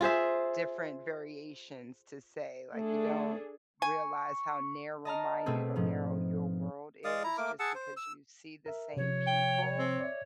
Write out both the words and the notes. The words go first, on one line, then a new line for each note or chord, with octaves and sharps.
different variations, to say. Like, you don't realize how narrow-minded or narrow your world is just because you see the same people.
F4 G#4 C5 E5
A3 D4 G#4 A4
G#5 C#6
D#5 A5 A#5 F6
B2 A3 C4 G#4
G#2 F3
G#3 D5 F5 D#6
E4 A#5
A3 A#3 A#4 D6
G#4 F#5 A5 E6
C5
E6
A#4 E5
C3 F3 C#5
G5
C4
D5 E5